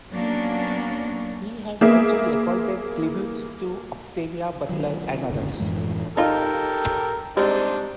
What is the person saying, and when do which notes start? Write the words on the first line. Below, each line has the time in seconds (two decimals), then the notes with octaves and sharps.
He has also recorded tributes to Octavia Butler and others.
0.13 F#3 A#3 B3 C#4 D4
1.81 A#3 B3 G#4 E5
4.69 D#3 F#3
5.30 G1 D#2 C#3
5.60 F#2 A2 E3 G#3
6.17 D#4 F4 G4 A4 A#4
7.37 G3 G#3 C4 D4 D#4 C5